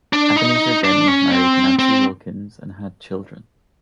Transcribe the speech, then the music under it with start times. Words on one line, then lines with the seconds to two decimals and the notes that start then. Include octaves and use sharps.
Ebenezer Denny married Nancy Wilkins and had children.
0.13 D4
0.36 D#4
0.84 D4
1.08 C#4
1.31 C4
1.79 C4